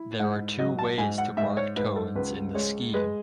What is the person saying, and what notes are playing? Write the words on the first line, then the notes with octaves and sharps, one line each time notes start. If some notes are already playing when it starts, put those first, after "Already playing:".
There are two ways to mark tones in the scheme.
Already playing: E4
G#2 F#5
F#3 D#5
A5
G#2 G#5
F#5
G#2 E5
C#5
G#2 B4
A4
C#2 B4
G#3 C#5
G#3 B4